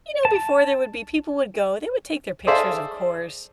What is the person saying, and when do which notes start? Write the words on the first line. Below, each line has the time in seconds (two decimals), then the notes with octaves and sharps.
you know, before there would be people would go, they would take their pictures, of course,
0.25 A5
2.47 G#4 A4 C5 D5 E5 F5